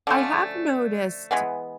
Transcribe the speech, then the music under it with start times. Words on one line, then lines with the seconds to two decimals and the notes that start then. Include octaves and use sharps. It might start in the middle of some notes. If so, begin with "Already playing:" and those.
I have noticed
0.07 D3 F3 A3 C#4
1.31 E3 G#3 B3